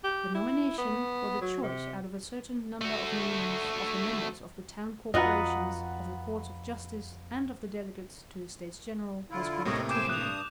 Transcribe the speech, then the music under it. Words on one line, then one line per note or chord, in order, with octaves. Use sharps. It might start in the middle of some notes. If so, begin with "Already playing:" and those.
The nomination, or the choice out of a certain number of nominees, of the members of the Town-Corporations, of the Courts of Justice and of the delegates to the States-General, was granted to him.
G4
E4
B3
F#3
C3
A3 F#4
F2 F4 F#4 B4 D#5 F#5 A#5
D3 E4 F4
D#2 A2 C3 A#3 C#5 D#5
C5 G5 G#5 D6 G6 E7
G2 D#6 F#6 F7